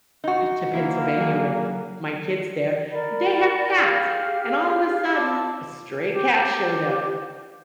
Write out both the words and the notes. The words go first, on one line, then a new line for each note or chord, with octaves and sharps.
eh, to Pennsylvania with my kids there, they have cats, and all of the sudden, a stray cat showed up,
D#4 F#4
A#3 E4
F#3 G#4
A#4 D5 B5
G4 G#4 F5 F6
F4 A5 D6 E6
G4